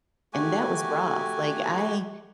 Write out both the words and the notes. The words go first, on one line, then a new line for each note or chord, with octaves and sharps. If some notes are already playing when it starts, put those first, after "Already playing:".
and that was rough, like, I
A3 F#4 G4 G#5